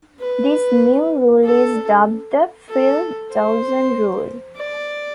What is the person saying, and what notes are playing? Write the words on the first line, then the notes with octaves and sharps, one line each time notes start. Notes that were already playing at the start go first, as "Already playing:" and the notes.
This new rule is dubbed the "Phil Dawson Rule".
B4
A4
A4
C5
D5